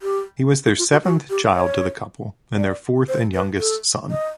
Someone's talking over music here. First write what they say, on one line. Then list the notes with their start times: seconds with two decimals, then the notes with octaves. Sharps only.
He was their seventh child to the couple and their fourth and youngest son.
0.02 G4
0.66 D#4
0.78 F4
0.91 F#4
1.04 F#4
1.30 G4
1.55 C#5
2.57 D5
3.08 C5
3.34 B4
3.59 A4
4.11 D#5